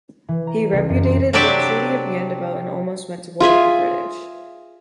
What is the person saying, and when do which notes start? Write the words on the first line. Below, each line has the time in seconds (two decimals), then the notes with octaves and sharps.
He repudiated the Treaty of Yandabo and almost went to war with the British.
0.28 E3
0.47 A#5
0.72 C#2
0.89 F#2
1.05 C6
1.33 C3 F#3 D4 G4 D5 E5
3.40 F4 G#4 E5 G#5